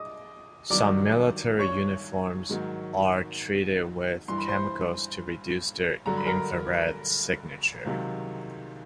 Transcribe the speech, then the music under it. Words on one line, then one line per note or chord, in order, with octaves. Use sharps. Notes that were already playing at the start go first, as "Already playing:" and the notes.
Some military uniforms are treated with chemicals to reduce their infrared signature.
Already playing: D#5 D6 D#6
G2 D#3 F#3 D5 D6
C#5 C#6
G#2 D#3 F#3
G2 E3 C6
B5
C5 C6
G2 D3 F#3 A#5
B5
A#4 A#5
C#2 C3 D#3 F#3